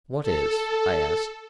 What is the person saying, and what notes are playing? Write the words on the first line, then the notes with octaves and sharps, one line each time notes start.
"What is?" I asked.
A4